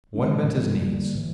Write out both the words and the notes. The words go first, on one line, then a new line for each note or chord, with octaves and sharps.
One bent his knees.
A2 F3 G#3 C#4
C3 F3 G#3 B3
D3 G3 A#3
A2 E3